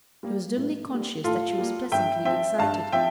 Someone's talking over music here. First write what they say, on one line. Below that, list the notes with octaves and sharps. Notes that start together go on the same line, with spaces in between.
She was dimly conscious that she was pleasantly excited.
G3 A#3
A2
G3 A#3
A2 F4 A4
G3 A#3
G2 E5 G5
F3 C4 E5 G5
G2 F5 A5
F3 C4 E5 G5